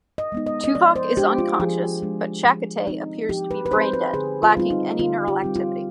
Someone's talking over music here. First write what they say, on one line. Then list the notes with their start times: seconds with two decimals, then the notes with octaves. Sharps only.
Tuvok is unconscious, but Chakotay appears to be brain dead, lacking any neural activity.
0.18 D#5
0.32 G#3 B3 D#4
0.46 D#5
0.64 D#5
0.74 F3 D5
0.96 C5
1.17 G#3 D4 G4
1.38 F4
1.60 F3 G#4
2.03 G#3 D4
2.45 F3
2.87 C4 D#4
3.29 F3 G4
3.51 B4
3.66 B4
3.72 C4 D#4 C5
3.93 B4
4.14 D3 G#4
4.43 F4
4.57 G3 C4 D#4 F4
4.70 D#4
4.99 D3 F4
5.28 G4
5.42 G3 C4 D#4
5.56 F4